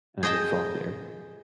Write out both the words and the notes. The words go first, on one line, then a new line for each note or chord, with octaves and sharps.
and they fought there
G#4 C5 D#5 G5 A5